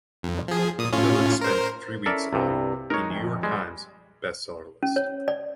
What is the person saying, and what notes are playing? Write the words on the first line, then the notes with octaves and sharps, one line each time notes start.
Dillard spent three weeks on "The New York Times" Best Seller list.
F2
F3 G#4
A#2 D#6
A2 C#4 F4
A#4 C5
C#4 E4 A4 A#4 D5 B6
C2 G2 C3
G#3 D#4 A#4 C#5
G1 F2
G3 G#3
C#4
C#5
D5